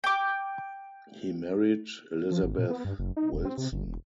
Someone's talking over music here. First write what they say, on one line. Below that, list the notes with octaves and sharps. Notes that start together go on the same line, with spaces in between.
He married Elizabeth Wilson.
G5 D6
F3
G#1
A#2
B3
G2
F#1
D#4
E1
C4
C3
G1
E1